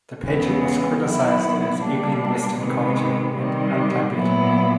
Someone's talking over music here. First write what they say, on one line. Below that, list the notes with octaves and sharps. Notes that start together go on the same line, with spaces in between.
The pageant was criticized as "aping western culture" and "un-Tibetan".
E2 C#3 E3 G#3 B3
D#3 F#3 B3 E4
B2 G3 A#3 D4
C3 D#3 G#3 B3
C3 D#3 G3
A#2 F#3 B3 E4